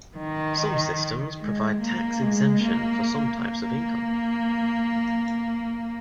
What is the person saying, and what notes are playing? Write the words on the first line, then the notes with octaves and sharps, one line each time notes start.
Some systems provide tax exemption for some types of income.
D#3
G#3
A#3
G#3
A#3
A#3